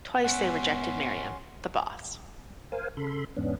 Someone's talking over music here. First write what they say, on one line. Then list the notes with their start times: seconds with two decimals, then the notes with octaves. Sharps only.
Twice they rejected Mariam — the Boss.
0.24 G#2 B3 C#4 E4 F#5 C6
2.72 A#4 C5 F5 G#5
2.97 C#3 A4 B5 C6
3.37 E2 G#2 B3 C#4 D4